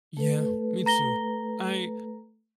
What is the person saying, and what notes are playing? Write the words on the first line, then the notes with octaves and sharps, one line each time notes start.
Yeah, me too. I
A3 A4 B4
A#5 A#6 G7